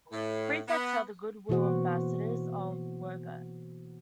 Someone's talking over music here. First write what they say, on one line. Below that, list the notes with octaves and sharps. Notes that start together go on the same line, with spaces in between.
Prefects are the good-will ambassadors of Woburn.
A2
B3
B2 E3 A#3 F#4 C5 F#5